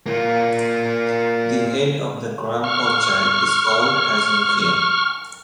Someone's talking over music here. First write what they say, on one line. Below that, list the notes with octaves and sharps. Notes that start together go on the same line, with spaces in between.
The head of the Gram Panchayat is called as Mukhiya.
A#3 F4
C#6 F6